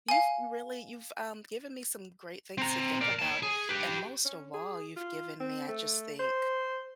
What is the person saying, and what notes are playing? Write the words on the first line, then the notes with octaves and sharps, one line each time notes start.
You've really you've, um, given me some great things to think about, and most of all, you've given me, I just think,
F5 G#5
C4 A#5
A#4 D5
C#5 A5
G#4
G4 B4
C#4
G#4
F4
C4
A3
C5